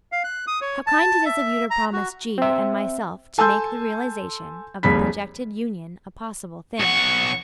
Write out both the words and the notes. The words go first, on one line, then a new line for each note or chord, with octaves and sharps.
How kind it is of you to promise G. and myself to make the realization of the projected union a possible thing!
F5
F#6
D#6
C#5
A5
E5
A#5
F#4
C4 E5
A4 G#5 A5 C6 E6 G6
F1 D#2 G3 G#4 B5 B6
B1 F#5 C#6